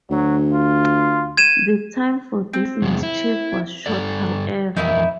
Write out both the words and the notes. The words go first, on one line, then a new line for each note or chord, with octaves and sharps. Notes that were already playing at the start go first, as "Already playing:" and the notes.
The time for this mischief was short, however.
D2 F#3
F4
G#6 D#7 E7
C4
E2 C3 G#3
E4
G2 A4 D5
F2 E3 D#4 E4 A#4 E5